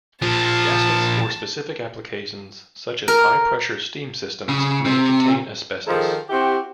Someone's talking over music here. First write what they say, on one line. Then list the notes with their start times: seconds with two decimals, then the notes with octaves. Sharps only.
Gaskets for specific applications, such as high pressure steam systems, may contain asbestos.
0.22 A#2 F3 A5
3.08 A#4
4.49 C#3
4.85 C3
5.87 D#3 F3 D#4 G#4 A4
6.29 C4 E4 F#4 G4